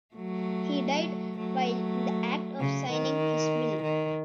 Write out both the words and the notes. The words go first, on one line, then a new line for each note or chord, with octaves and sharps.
He died while in the act of signing his will.
F#3 A3
F#3 A3
C#3
D#3
D#3